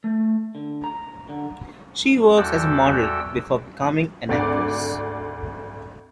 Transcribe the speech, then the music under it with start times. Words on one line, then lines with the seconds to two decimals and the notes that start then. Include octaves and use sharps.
She worked as a model before becoming an actress.
0.04 A3
0.55 D3
0.84 A#5
1.29 D3
2.37 E2 G3 F#4 A4 G5 E6
4.29 G#1 D2 D5 D6